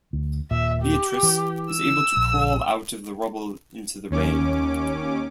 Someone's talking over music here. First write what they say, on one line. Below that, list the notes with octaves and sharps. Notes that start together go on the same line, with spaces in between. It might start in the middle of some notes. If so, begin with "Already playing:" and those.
Beatrice was able to crawl out of the rubble into the rain.
D2
D#1 A#2 E5
G4
E3
E6
A#1
D#2 C#4 D6